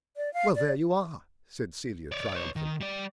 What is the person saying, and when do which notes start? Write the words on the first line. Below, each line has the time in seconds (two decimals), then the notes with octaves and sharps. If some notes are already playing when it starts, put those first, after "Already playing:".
"Well, there you are," said Celia triumphantly.
0.17 D5
0.34 F5
0.55 D5
2.12 C#5 D5
2.35 B4 C#5
2.56 D#3
2.81 G3 D5